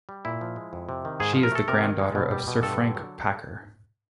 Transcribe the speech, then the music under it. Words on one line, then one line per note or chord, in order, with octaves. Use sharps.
She is the granddaughter of Sir Frank Packer.
G3
A#2 E4
F3
G#3
F2
C3
D#3
G#2 G#4
F3
A#4
A3 A4
C3 A#4
D#3
G#3
B2
G3
B2
G2 A4
D3
F#3